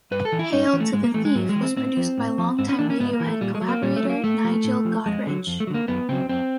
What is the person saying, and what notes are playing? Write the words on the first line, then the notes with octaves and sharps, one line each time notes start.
"Hail to the Thief" was produced by longtime Radiohead collaborator Nigel Godrich.
G2 B4
A4
E3
E4
G2 D#4
C#4
E3
A3
G#2 G#3
A#3
E3 A3
G#3
G#2 F#3
G#3
E3
C4
A2 C4
F3
A2
F3
G#2 C4
C#4
E3 D4
C#4
G#2 B3
A#3
E3
A3
A#2 G3
G#3
F#3
A#3
A#2 G3
A3
F#3
A#3
A2 A3
F3
A2
F3
F2 G#3
D3 F#3
F2
A3
F#3
D3 A#3
F#2 B3
C#3 F#3 C4
F#2 C4